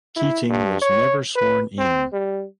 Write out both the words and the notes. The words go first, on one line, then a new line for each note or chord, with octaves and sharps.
Keating was never sworn in.
E4
G2
C#5
B4
C4
G3